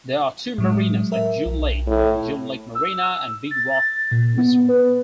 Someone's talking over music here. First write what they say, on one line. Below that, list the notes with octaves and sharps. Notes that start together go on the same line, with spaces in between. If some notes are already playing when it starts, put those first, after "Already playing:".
There are two marinas at June Lake: June Lake Marina and Big Rock Resort.
A2 F#3 G#3
A#4 E5
B1
A2
E6
A6
A#2
B3
B4